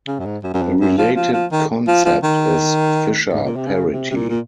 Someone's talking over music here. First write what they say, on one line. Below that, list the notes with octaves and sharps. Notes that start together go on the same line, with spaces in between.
A related concept is "Fisher parity".
C#3
F#2
G#2
F#2
F#2
F2
F#2
F3
F3
F3
D#3
F3
F3
D#3
G#2
A#2
C3
C#3
C3
C3
A#2
A#2